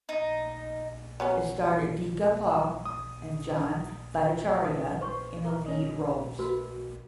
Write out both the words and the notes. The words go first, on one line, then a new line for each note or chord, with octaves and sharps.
It starred Idhika Paul and John Bhattacharya in the lead roles.
D#4
F#3 B3 C#4
D#6
C#4 E4 B4 A5 D#6
B4 C5 C#6
A#4
C#4 D#5
A3 F#4 A#4 B4 B5